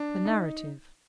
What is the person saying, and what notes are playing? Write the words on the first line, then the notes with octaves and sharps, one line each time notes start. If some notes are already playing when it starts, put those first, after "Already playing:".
The Narrative.
Already playing: D4
D#4